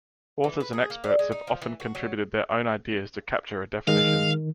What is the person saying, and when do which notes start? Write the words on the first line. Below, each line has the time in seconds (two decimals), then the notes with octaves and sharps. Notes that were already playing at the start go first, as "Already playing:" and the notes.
Authors and experts have often contributed their own ideas to capture a definition.
0.44 E3
0.60 B4
0.73 G#4
0.90 A#3
1.04 D5
1.19 G#3
1.32 D#4
1.47 F3
1.62 E3
1.80 F#4
1.95 F#3
3.87 D#3 G#3 F5